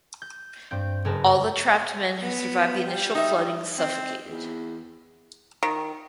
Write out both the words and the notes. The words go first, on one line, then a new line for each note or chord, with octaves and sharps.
All the trapped men who survived the initial flooding suffocated.
G6
G2 C4 G6
F#1 G#4 A#4 B4 A5 A#5
B3
G3
D#4 E5
C4
E2
D#3